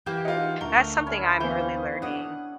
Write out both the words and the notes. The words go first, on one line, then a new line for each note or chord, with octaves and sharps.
that's something I'm really learning.
E3 A#3 G4 G5
D#4 F4 F#5
D2 A3 A#4 G7
G3 C#4 E4
E3 B3 C5 F5 G5
D4 D#5 F#5 D#6